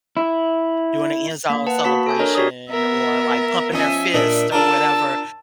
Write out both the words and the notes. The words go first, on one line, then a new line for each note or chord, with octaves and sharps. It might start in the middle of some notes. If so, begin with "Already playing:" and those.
doing an end zone celebration or, like, pumping their fist or whatever
E4
A#3
B4 F#5 A5
A#3 F#4 A5 B5 B6
A4 G#5 G6
D4 A#4 C#5 D#5 A#5
F#4 G4 C#5 D5 D#6
B3 A#4 E5
F3 C#4 D#5 E5 G#5
A#2 D4 D#5 E5
D4 F4 A#4 A5 E6